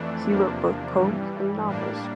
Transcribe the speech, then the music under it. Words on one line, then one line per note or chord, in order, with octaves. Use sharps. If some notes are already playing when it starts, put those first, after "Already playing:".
He wrote both poems and novels.
Already playing: F2 E3 A3 D4
E2 C3 F3 A#3 D4
G2 E3 G3
A2 G3 A#3 D4